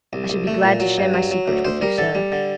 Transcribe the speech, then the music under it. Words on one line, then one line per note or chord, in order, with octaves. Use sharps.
I shall be glad to share my secret with you, sir.
C2
C2
A3
A#2
F#3
G2
F#3
F#3
D2
D2 C5
G3 A#4
D3 A4
G3
D3